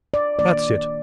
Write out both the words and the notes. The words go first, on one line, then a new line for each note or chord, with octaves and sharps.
That's it.
D5
D#3 A#3 D5